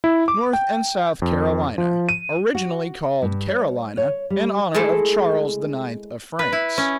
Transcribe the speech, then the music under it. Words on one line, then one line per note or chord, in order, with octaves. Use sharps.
North and South Carolina--Originally called Carolina, in honor of Charles IX. of France.
E4
D6
G5
F2
F3
D#7
F#4
G2
C#5
C#5
G3
G#3 A3 E4 A4
B4
E4
C#4